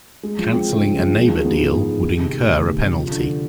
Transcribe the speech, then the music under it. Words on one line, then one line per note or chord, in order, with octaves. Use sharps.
Canceling a neighbor deal would incur a penalty.
G#3
F3
C4
C#3
G#3
F3
G#3
D#3
B3
G#2
G#3
D#3
D#3
C3
D2
D2
D#3
C3
F3
D3